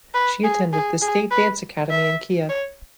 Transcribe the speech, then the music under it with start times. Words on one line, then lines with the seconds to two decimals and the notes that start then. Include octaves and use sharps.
She attended the State Dance Academy in Kiev.
0.14 B4
0.44 G#4
0.73 G#4
1.01 G#4
1.31 B4
1.90 E5
2.49 C#5